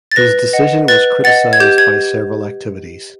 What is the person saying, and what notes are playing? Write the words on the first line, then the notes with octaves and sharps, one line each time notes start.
His decision was criticised by several activities.
A6
B4 A#6
D#5 F#5
B4 A6
D#5 F#5 A6
G#6
G4 G6
G#6